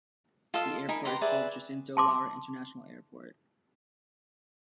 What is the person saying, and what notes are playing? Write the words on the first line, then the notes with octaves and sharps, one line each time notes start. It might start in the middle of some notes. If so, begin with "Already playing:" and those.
The airport is called Jacinto Lara International Airport.
F4 A4 D#5 F5
D#4 A#4 G#5 B5
G4 B4 A#5 C6
G#4 B4 D5 E5
A5 C6 D6